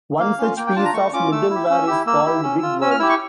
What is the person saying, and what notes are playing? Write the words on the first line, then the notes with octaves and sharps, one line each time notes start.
One such piece of middleware is called BigWorld.
A#3 F5
C#4 F4
A#3 G5
G5
D4 F4 A5
A#5
A3 C#6
C#4 F4 D6
A3 E6
E4 G4
C#4
E4 G4
A#3 E6
E4 G4
C#4
F4
C#4 E6
F6
E4 G4 E6
C#6